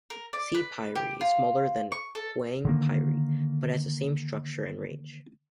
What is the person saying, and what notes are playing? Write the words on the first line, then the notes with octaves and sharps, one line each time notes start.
"Se piri" is smaller than "hyang piri" but has the same structure and range.
A#4
D5
B4
G4
F4
C#6
A4
D3 D#3 A#3